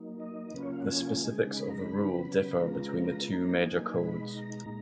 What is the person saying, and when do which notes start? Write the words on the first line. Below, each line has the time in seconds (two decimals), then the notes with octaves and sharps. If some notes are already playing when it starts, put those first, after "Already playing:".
The specifics of the rule differ between the two major codes.
Already playing: F#3 A#3 D#4
0.20 D#5
0.54 C#3 F#3 A#3 C#4 F4 B4
0.63 C#5
0.72 F5
0.80 F#5
0.88 G#5
1.23 C#3 G#3 D#4
1.57 B5
1.69 A#5
1.79 B5
1.92 C#3 F#3 B3
2.60 C#3 G#3 B3 F4 A#5
3.28 F#3 A#3 D#4 A#5
3.62 G#5
3.97 B2 G#3 D#4 B5
4.31 A#5
4.66 A#2 G#3 D#4